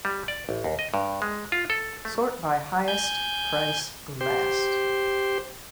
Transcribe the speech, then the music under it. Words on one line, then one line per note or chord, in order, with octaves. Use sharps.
Sort by highest price last.
G3
D5
A1
D#2
D#5
G2
G#3
F4
A4
A3
G#5 G6
G4 C5